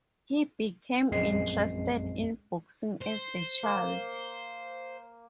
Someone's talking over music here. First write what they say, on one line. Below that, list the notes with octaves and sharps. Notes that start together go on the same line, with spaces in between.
He became interested in boxing as a child.
A#1 F#2 G#3 C4 C7
C5
A#3